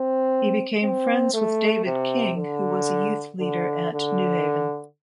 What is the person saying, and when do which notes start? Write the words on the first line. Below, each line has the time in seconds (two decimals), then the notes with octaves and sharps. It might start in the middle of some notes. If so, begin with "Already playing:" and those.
He became friends with David King who was a youth leader at Newhaven.
Already playing: C4
0.83 C4
1.34 A3
1.85 C3
2.37 D3
3.40 D3
3.92 D3